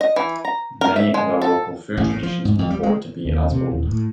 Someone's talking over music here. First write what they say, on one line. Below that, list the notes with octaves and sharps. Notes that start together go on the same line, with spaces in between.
Many other local food traditions purport to be as old.
D#5
E3
A#5
A#4
E5
G#3
A4
A1
A2
F3
G#2
F2
G3
G#3
D#2
C3
D#1
A2